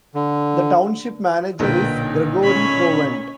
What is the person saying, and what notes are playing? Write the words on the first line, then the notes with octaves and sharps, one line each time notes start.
The Township Manager is Gregory Prowant.
D3
B1 A#2 D3 B4 G5
D#4
C#4 C#5 B5